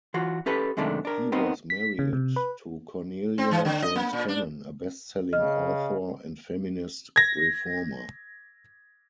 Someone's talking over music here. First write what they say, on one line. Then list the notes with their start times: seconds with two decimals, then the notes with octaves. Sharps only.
He was married to Cornelia James Cannon, a best-selling author and feminist reformer.
0.14 E3 F4 F#4
0.46 C#4 G4 A4 B4
0.77 F#2 C3 D#3 G#3 A3 D4
1.05 D4 A#4
1.32 B3 C4 D#4 A#4
1.70 B6
1.99 C#3
2.13 C3
2.36 B4
3.38 C4
3.51 E3
3.65 D3
3.82 D#5
3.96 A#3
4.13 A#2
4.28 D4
5.33 C#3 D#5 F6
7.16 G#6 A#6